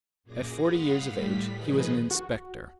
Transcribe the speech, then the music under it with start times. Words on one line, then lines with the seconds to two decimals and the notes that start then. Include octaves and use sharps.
At forty years of age he was an inspector.
0.23 F#2 A#2 G#4 D6 A#6
0.58 F5 F#5 B5 C6 D#6 F6
0.90 A2 G3 B6
1.53 D#3 F3 G#4 B4 D#5
2.11 F#4